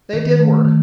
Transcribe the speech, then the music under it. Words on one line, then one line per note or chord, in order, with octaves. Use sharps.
They did work.
D#3
A3
D#3